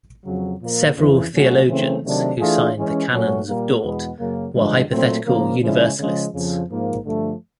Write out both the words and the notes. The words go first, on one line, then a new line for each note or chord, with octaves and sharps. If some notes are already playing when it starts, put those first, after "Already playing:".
Several theologians who signed the Canons of Dort were hypothetical universalists.
F2 C#3 F#3
A#2 F3 A#3
F2 C#3 E3
B2 F#3 A3 C#4 F#4
C#3 E3 A3 C4
C3 D#3 F#3 A3 D4
E3 A3 D4 F4 G#4
E3 G#3 C#4
A#2 F#3 A3 C#4 F#4
A#2 G3 A#3
E2 B2 G#3 B3
F#2 C#3 F#3 A#3
G2 D3 F3 G#3
A#2 F#3 A3 C4
C#3 F3 A#3
C#3 F3 G#3 C#4 E4
C#3 F3 G#3
F2 C#3 F3
G#2 F3 A#3
G2 D3 F3 A3